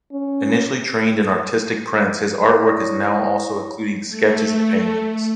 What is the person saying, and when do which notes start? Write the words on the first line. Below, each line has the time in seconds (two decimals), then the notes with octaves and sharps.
Initially trained in artistic prints his artwork is now also including sketches and paintings.
0.12 C#4
2.66 E4 C#5 D5 C#6 D#6 A#6
4.08 A3